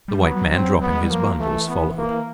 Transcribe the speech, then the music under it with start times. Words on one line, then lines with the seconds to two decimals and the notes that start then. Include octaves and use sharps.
The white man, dropping his bundles, followed.
0.08 G3
0.22 F#3 B3
0.36 F#3
0.51 F#3 C4
0.81 F#3 B3
0.91 G#3
1.01 G3
1.10 F3 A#3
1.39 E3 A3
1.68 B3
1.98 A#3